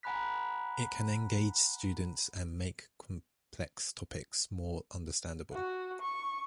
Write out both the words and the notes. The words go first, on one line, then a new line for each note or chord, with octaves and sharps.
It can engage students and make complex topics more understandable.
F#5 G#5 A#5 B5 F#6 B6
F#4
C#6